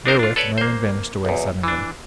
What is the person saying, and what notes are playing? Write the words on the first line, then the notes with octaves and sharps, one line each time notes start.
Therewith Merlin vanished away suddenly.
D4 D#4 A#4 C5
D4 F4
A4 B4 C#5 D5
A#3 C5
B1 E2
E3 D4